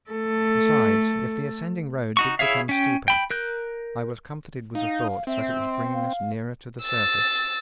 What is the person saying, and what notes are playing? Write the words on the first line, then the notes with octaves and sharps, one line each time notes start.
Besides, if the ascending road did become steeper, I was comforted with the thought that it was bringing us nearer to the surface.
A3 A4
D#4 F#4 C#6
E4 G#4 C#5 E5 F5
C#4 G5
G5 B5
A#4 F#6 G6
D#4 F5
C4 E5
F5
E6 A6